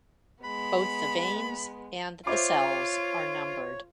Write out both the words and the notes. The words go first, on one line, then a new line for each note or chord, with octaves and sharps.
Both the veins and the cells are numbered.
G#3 B3 B5
F4 C5 C#5 E5 D6